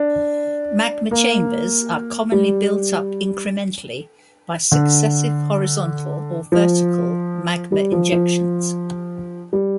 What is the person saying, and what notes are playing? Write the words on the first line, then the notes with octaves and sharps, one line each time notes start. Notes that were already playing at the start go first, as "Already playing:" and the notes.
Magma chambers are commonly built up incrementally, by successive horizontal or vertical magma injections.
Already playing: D4
A#3
G3
D3
F3
G3
F3
F3
G3